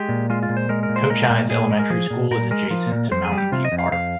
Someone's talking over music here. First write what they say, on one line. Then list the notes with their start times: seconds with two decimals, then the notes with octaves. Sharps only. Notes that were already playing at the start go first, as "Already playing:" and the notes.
Cochise Elementary School is adjacent to Mountain View Park.
Already playing: G#3 G4
0.09 A#2
0.30 G#3 F4
0.43 F4
0.49 A#2
0.57 C5
0.69 G#3 A#4
0.83 A#4
0.89 A#2
0.96 C5
1.10 G#3 A#4
1.30 A#2
1.50 A#2 G#4
1.70 G#3
1.79 A#4
1.90 F3 G#4
2.10 A#2
2.31 A#2 A#4
2.51 G#3 A#4
2.71 F3
2.92 A#2
3.11 F2 C5
3.25 G#4
3.32 G3
3.38 G4
3.52 C3 F4
3.65 D#5
3.72 F2
3.79 F5
3.92 F2 F5